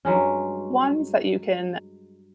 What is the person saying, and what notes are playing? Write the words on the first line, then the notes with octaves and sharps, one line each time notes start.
ones that you can
G2 F#3 G#3 C#4